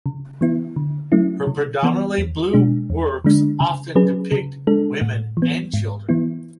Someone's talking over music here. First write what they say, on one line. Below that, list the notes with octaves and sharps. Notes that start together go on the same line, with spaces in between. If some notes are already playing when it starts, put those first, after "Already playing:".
Her predominately blue works often depict women and children.
C#3
E3 B3 E4
D3
F#3 A3 C#4 E4
C#3
E3 B3
E2
B2 G#3 D4
E2
D3 G#3 D4
C#3
F#3 C#4 G#4 B4
C#3
G#3 D4 A4
A2
E3
B3
G#2
E3 B3 E4